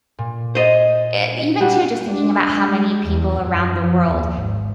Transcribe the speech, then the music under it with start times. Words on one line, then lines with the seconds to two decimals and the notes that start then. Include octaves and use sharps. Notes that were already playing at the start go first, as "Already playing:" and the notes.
eh, even, too, just thinking about how many people around the world
0.18 A#2
0.55 C5 D#5
1.61 G3 D4 F#4 F#5
2.09 D4
2.59 G#3
3.07 E2
3.40 F#2
3.79 F3
4.08 D#2
4.38 G#1